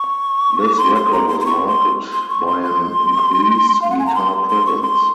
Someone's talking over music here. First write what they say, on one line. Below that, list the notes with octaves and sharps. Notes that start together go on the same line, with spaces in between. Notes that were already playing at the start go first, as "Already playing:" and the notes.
This record was marked by an increased guitar presence.
Already playing: C#6
C6
C6
A#5
C6
C6
C#6
C6
C6
C#6
C6
C6
F5
F#5
G#5
A#5
C6
C6
C#6
C6